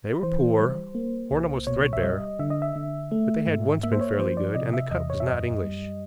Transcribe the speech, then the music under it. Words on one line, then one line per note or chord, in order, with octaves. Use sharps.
They were poor, worn almost threadbare, but they had once been fairly good, and the cut was not English.
E3 C5
G3
A#3
C2
B2 C#5
E5
G3 D#5
D3 E5
D#5
E5
D3
A3
G#2
A#3 E5
C5
C#5
F3 C5
D5
C3 D#5
E5
E2 D#5
C#5
E5
F#2 D#5
G3